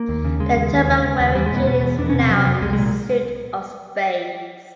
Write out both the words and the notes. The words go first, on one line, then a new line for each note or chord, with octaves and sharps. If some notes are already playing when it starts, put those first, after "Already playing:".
The turban wearing king is now in the suit of spades.
Already playing: A#3
D#2
C#3
C#3 G#3
D#2
D#2
C#3
C#3
D#2
E2 G3
G#3
B2
B3
B2 B3
E2
F2 D4
C#4
C3 C4
C3 F#3
F2 F#3
C2 G#3
G#3
A#2